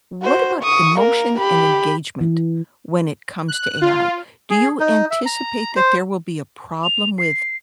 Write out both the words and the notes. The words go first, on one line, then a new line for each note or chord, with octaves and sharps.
What about emotion and engagement, when it comes to AI, do you anticipate that there will be a problem with
F#4 C5
C#6 D#6
A#3 A#4
G4 B5
E3
F#6
F4
G#4
D#4
E5
A#5
C5
F7
C7